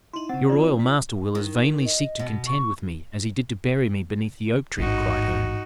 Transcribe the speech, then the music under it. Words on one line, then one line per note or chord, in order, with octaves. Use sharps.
"Your royal master will as vainly seek to contend with me as he did to bury me beneath the oak-tree," cried Herne.
D#4 E4 C6 F#7
C#3 C4 F#5 A6
D#3 F3 F4 D5
B6
D#3 A#4
D#5
B2
C#6
A1 G#2 D#4 F#4